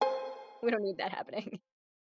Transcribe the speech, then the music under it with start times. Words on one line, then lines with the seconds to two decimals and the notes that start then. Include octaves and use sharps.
We don't need that happening.
0.01 C5 G#5